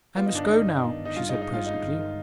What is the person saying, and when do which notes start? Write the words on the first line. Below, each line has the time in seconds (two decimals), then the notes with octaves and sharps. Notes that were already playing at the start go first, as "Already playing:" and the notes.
'I must go now,' she said presently.
0.16 B3 F4
0.26 D#4
0.33 G1 D4
0.44 D#4
0.50 D#3
0.67 G1
0.83 D#3
1.00 G1
1.05 D#4
1.16 G2 F4
1.29 D#4
1.33 G#3
1.42 D#4
1.50 G2 F4
1.66 G2 D#4
1.83 G1
1.99 D#3